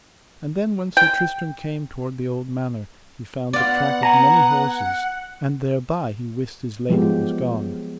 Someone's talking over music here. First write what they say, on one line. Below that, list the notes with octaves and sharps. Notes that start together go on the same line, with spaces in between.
And then when Sir Tristram came toward the old manor he found the track of many horses, and thereby he wist his lady was gone.
G5
B3 F4 D5 F#5
G#5 A#5
F3 F#3 G#3 B3 F4 G4